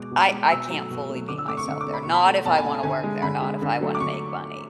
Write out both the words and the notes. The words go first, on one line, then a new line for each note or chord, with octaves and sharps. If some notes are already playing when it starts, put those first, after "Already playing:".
d I I can't fully be myself there, not if I wanna work there, not if I wanna make money.
Already playing: B2 G#3 D6
B2
G#3
B2 E6
F#3 A3
B2
F#3 A3
D3 D6
E6
A3 D6
C#6
D3
D6
A3
B5
B2 C#6
B5
A3
B2 A5
G#5
A3
D3 G#5
G#3
D3 B5
G#3
D3
F#3 A3
D6
D3 C#6